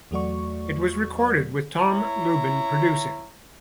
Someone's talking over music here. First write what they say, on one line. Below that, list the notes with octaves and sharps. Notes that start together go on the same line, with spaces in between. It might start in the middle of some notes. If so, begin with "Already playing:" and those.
It was recorded with Tom Lubin producing.
E2 F#3 A3 F#4 D5 C#6
E4 C#5 A#5